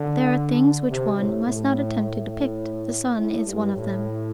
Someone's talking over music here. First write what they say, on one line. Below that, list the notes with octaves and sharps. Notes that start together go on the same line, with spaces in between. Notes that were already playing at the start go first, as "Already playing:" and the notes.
There are things which one must not attempt to depict; the sun is one of them.
Already playing: D3
C3
A2
A2
A2
A2
G2
A2